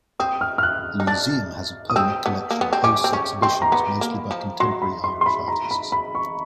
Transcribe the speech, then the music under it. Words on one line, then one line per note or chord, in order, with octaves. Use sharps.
The museum has a permanent collection and hosts exhibitions, mostly by contemporary Irish artists.
C4 D#6
F6
F6
F#6
D#4
D4 A6
D#6
C4 E6
B3
A#3
B3
C4
C#4 D6
C4
C#4 C#6
C4 C6
A#5
B3 B5
A#3
F3
F#3 C6
B5
C6
C6
B5
A#5
B5
B5
C#6